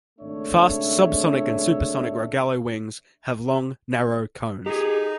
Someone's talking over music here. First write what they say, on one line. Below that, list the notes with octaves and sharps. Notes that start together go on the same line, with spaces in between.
Fast subsonic and supersonic Rogallo wings have long, narrow cones.
G#1 C#3 A3 D4 C#5 E5
D#4 G4 G#4